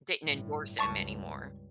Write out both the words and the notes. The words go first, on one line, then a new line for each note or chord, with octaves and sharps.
Didn't endorse him anymore.
G1 A2
C#2 G2 A5 C#6